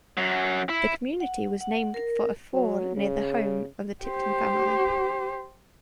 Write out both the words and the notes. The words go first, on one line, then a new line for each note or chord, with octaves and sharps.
The community was named for a ford near the home of the Tipton family.
F#2 F#3
E4
F#5
F#5
A#4
F#3
C#3
G4 C5